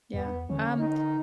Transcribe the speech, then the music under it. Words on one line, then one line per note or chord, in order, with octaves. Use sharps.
Yeah, um,
E2 B3
D3 C#4
D#4